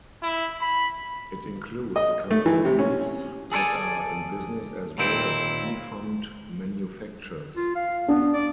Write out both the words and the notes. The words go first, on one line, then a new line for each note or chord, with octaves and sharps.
It includes companies that are in business as well as defunct manufacturers.
E4
B5
D#5
A3
E3
C3
C#4
G#4 A4 B4 D5 G#5
D#2 A#2 C4 E4 G5
F4
F5
B3 D4
D5